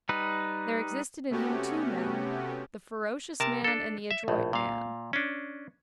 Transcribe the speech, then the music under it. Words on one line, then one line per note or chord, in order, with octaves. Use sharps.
There existed in him two men, the ferocious man and the adroit man.
G3 D#4 B4
C3 A3 B3 C#4 F#4 G4
C3 A#4 A5
D4 A4
E5
A#1 A2
A#2 F5
C#4 D4